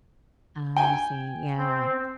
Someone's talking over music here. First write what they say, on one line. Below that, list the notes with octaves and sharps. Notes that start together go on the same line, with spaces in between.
I see. Yeah.
G5 G#5
C4